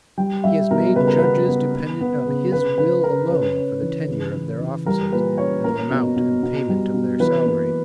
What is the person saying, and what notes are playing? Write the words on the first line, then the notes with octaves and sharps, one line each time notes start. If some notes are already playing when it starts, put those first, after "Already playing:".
He has made judges dependent on his Will alone, for the tenure of their offices, and the amount and payment of their salaries.
G3 G5
G3 E5
B2 A#4
C#3 B4
A#4
B3 B4
B3
B3
B3
C#3
C#3 B4
C#3 B4
C#3 A#4
C#4 B4
C#4
E3
C#3
E3
E3
G3 A#4
A#2 B4
C#4 C#5
A#3 A#4
B2
B2
B2
G3
B2
E3 B4
A#3